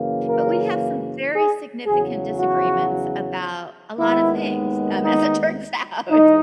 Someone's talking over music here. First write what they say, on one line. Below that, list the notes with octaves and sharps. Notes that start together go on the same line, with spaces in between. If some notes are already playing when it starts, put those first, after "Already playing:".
but we have some very significant disagreements about a lot of things, um, as it turns out.
Already playing: F#2 C#3 E3 A#3
A#4
G#4
E2 C#3 F#3 G#4
F#4
D#2 D#3 G#3 B3 E4
D#4
G#2 E3 D#4